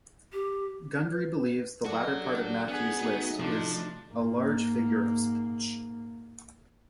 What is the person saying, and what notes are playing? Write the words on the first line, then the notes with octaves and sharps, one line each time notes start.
Gundry believes the latter part of Matthew's list is "a large figure of speech".
G4
B4
F#3 F#4 A4 D5
D4 G4
B3 G#4 F#5
F#3 A3 D#4
C3 F3 D4
G#2 A#3